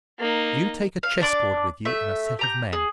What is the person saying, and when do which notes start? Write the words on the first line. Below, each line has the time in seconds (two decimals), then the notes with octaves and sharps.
You take a chessboard with you and a set of men.
0.19 A#3 D#4
1.03 F5
1.21 D4 D5 D6
1.85 A3 E5
2.39 G4 A#5 G6
2.73 G#4